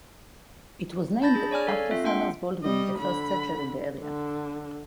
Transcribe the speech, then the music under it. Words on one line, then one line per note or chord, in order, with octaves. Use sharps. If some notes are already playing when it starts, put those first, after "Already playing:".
It was named after Summers Baldwin, the first settler in the area.
A5 B5 G6 A6 A#6
D4 G#4
C#5 D5 G#5 F6
A4 F5
C4 F4 E5
A#3 D4 F#5 G5 C6
G3 D#5
D3 B5
D3